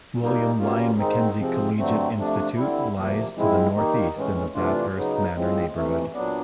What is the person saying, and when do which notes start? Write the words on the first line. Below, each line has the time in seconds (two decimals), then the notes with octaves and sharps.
William Lyon Mackenzie Collegiate Institute lies to the northeast in the Bathurst Manor neighbourhood.
0.20 A#2 G3 A#3 D#4
0.59 B2 G3 A#3 C#4 F4
0.98 G#2 D#3 G#3 C4 D#4
1.38 C3 F3 G#3 C4
1.78 G2 D3 F#3 A3 C4
2.17 C3 F3 A3 D4
2.57 D3 G3 C4 E4
2.96 D2 C3 F3 A#3
3.35 G#2 F3 G#3 C4 E4
3.76 D#3 G3 A#3 D#4
4.15 A2 E3 G#3 C#4
4.55 C3 E3 A3 D4 F4
4.94 C#3 F#3 B3 D#4
5.34 A2 F3 G#3 C4
5.73 F2 C3 E3 A3
6.13 A#2 F#3 B3 D4